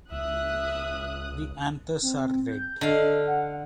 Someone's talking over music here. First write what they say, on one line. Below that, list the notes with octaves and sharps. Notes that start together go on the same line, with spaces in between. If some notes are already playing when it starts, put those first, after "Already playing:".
The anthers are red.
C#2 E5 D#6 F#6
C4
G6
D3 D#5 F5
F#5